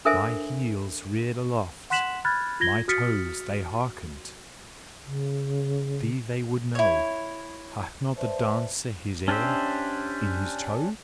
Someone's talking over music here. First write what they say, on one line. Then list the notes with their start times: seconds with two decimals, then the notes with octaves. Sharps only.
My heels reared aloft, my toes they hearkened,--thee they would know: hath not the dancer his ear--in his toe!
0.05 D4 A4 A#4 C5 E5 G#5
1.90 F#5 C6 F#6 B6 E7 F#7
2.25 B5 F6 F#6 G#6 A6
2.60 F4 G#6 A#6 G7
2.88 F#4 D#6 F6 A6 B6 C#7
5.05 C#3
6.75 E4 C#5
8.16 B4 C5 D5 E5 A5
9.28 C#4 D4 G4 C5 E5